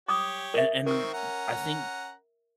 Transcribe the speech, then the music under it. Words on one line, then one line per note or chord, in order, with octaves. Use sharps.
And and, I think
G4 C#5 D6 D#6
A#4 E5
D#3 C4 A#4 C#6 E6
C#4 F#5 A#5